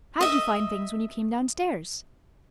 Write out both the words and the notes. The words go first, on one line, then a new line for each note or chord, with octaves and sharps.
How'd you find things when you came downstairs?
D#5 E5